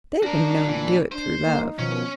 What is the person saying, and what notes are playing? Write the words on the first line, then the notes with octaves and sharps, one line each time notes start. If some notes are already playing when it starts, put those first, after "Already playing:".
They have been known to do it through love.
D4 F#4 A#4
A#2 E3
D4 C5
A#3 D#4
B2 D#3 F3 C#4